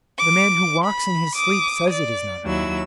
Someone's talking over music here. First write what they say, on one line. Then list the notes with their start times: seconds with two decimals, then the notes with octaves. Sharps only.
The man who walks in his sleep says it is not a club.
0.17 D6
0.83 B5
1.34 D6 D#6
1.89 D5
2.44 D#2 F#3 E4 E6